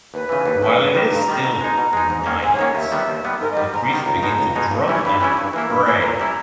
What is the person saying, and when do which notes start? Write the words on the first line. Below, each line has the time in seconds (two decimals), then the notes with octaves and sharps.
While it is still knight, the priest begins to drum and pray.
0.14 D#2 B4
0.29 C#3 E3
0.46 D#2
0.62 C#3 E3
0.79 G2
0.95 D#3 G3
1.11 G2 A#5
1.28 D#3 G3
1.44 B2
1.61 G#3 D#4
1.77 B2
1.93 G#3 D#4
2.10 G#2
2.26 D#3 A#3 C#4
2.43 G#2 G#5
2.53 C#5
2.59 D#3 A#3 C#4
2.75 D#2 E5
2.92 D#3 G3 B3
3.09 D#2
3.24 D#3 G3 B3
3.40 G#2 A#4
3.51 D#5
3.57 D#3 G3
3.73 G#2 A#5
3.90 D#3 G3
4.06 C#2
4.23 B2 G#3 D#4
4.38 C#2
4.56 B2 G#3 D#4
4.71 G2
4.88 E3 G3 C#4 E4
4.94 C#6
5.05 G2 B5
5.21 E3 G3 C#4 E4
5.37 G2 C#6
5.53 E3 A#3 E4
5.70 G2 B5
5.86 E3 A#3 E4
6.03 A#2 A#5
6.20 G3 C#4 E4